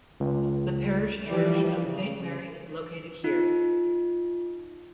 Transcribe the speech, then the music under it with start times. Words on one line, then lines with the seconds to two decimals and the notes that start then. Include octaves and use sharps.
The parish church of Saint Mary is located here.
0.20 C#2
1.26 E3 F3 G3
1.81 C#3
3.24 D#4 F4